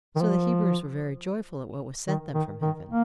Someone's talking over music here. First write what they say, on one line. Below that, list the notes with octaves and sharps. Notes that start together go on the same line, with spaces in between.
So the Hebrews were very joyful at what was sent them from heaven.
D#3
F3
D#3
D#3
D#3
A#3